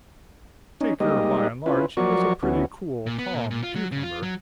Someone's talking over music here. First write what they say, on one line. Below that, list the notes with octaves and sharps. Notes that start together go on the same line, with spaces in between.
Take her by and large, she was a pretty cool, calm cucumber.
C#4 D#4
G3 G#3 A#3 D#4 G4 D#5
C#4 E4 F4 B4
F3 F#3 F#4 A#4 D5 C#6
D2 B3 C#4 E4 F#4
A#2
B3
A#2
A#2
F4
F#3
C#3
F4
F#3